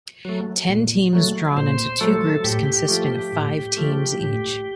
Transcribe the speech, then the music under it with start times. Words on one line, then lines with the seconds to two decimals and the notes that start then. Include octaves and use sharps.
Ten teams drawn into two groups consisting of five teams each.
0.25 F#3 A3
0.69 A#2
1.13 F#3 A3
1.57 A#2 C5
2.01 F#3 A3 A4
2.44 A2 G4
2.88 F3 A3
3.33 A2
3.77 F3 A3
4.21 A2